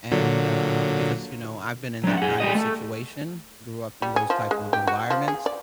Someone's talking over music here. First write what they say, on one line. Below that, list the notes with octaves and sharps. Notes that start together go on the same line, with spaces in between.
and, uh, because, you know, I've been in that kind of situation, grew up in those type of environments,
A#2 D3 F#3
F#3 D4
G#4 F#5
G3 D#5
A3
G3
G#4
F3
G#3
G4
F#4
F3
G#4
D5